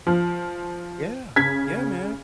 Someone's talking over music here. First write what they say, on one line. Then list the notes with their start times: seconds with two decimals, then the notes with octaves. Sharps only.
Yeah. Yeah, man.
0.07 F3
1.36 C#3 G#6 B6